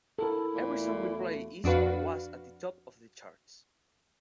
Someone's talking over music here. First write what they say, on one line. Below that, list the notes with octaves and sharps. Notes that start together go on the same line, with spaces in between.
Every song we play is or was at the top of the charts.
E4 A4 A#4
E2 A#2 F#3 A3
F2 D4 F#4 B4 F5